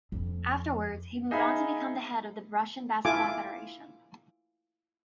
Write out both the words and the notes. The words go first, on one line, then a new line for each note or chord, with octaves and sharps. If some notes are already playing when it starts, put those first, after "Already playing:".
Afterwards, he moved on to become the head of the Russian Basketball Federation.
F2
D#4 G#4 E5 F5 G#5 B5
E4 F4 A4 G#5 D6